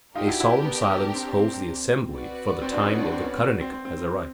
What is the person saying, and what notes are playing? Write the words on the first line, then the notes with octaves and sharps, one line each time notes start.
A solemn silence holds the assembly, for the time of the Karanika has arrived.
D4 D#4 F4 G4 A#4
E4 F#4
E4 F#4
B3
C4
C4
F#4 B4 D5
C4
C4 D4
C#4 D#4
C4 D4
C4 D4
B3 C#4
C4
C4
C4
C4
C4